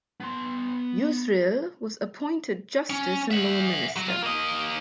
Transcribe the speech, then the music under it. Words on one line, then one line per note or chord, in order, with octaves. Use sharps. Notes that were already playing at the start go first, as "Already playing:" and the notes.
Yusril was appointed justice and law minister.
B3 C6
C#4
E5 F#5
F#3
F4
A#3 D#5